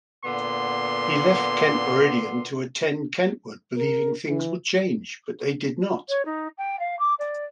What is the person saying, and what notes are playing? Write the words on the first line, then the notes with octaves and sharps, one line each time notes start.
He left Kent-Meridian to attend Kentwood believing things would change, but they did not.
A#2 D3 B3 C6
A#4
E3
C#5
D#4
G5
F5
D6
D5